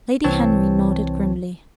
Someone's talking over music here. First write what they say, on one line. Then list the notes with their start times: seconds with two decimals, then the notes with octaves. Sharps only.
Lady Henry nodded grimly.
0.24 C2 E3 C4 C#5 A5